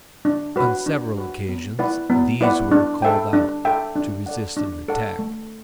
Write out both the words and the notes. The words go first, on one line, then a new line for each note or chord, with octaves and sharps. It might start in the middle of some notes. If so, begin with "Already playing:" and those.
On several occasions these were called out to resist an attack.
D4
F#4 B4
D4
F#4 B4
B3
E4 B4 D5 F#5
B3
E4 B4 D5 F#5
D4
A4 E5 G5
D4
A4 E5 G5
D4
A4 D5 F#5
D4
A4 D5 F#5
A3